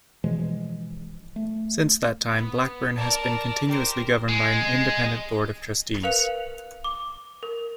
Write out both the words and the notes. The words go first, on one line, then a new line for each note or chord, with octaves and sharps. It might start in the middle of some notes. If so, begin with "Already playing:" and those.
Since that time, Blackburn has been continuously governed by an independent Board of Trustees.
B2 E3 F3 G#3
A3
B3
A#4 D5 A5
G4 A#4 C5
G#3
A#4 B4 F5 F#6 C#7 F7
D6
A#4